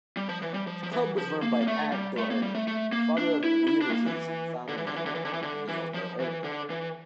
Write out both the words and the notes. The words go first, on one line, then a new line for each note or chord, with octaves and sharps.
The Club was run by Pat Doherty, father of Weavers' founding member Neil Doherty.
G3
F3
E3
G3
F3
F3
E3
F3
A#3
A#3
A3
G3
A3
A#3
G3
A3
A3
A#3
D4
E4
E4
D4
A3
A#3
E3
D3
E3
D3
E3
D3
E3
D3
E3
D3
E3
F3
E3
D3
E3